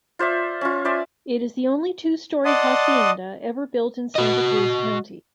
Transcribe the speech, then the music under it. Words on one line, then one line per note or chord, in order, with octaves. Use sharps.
It is the only two story hacienda ever built in Santa Cruz County.
F4 C5 D5 E5
C#4 F4
C5 D5 E5 G#5
D5 D#5 F#5 A5 C6 D#6
F#4 D#5